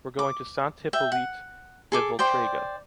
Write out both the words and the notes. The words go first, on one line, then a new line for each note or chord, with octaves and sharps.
We’re going to Sant Hipòlit de Voltregà.
D6
E5 G5
F#5
G#4 A4 D6
C5 D5 G5